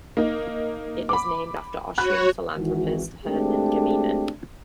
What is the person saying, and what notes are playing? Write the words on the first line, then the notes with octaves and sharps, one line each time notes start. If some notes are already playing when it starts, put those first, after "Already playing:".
It is named after Austrian philanthropist Hermann Gmeiner.
A#3 D#4
B5 D6
F#4 C#5 B5 F#6
G#1 E3 F#4
G#3 A3 C4 D4 F#4 G4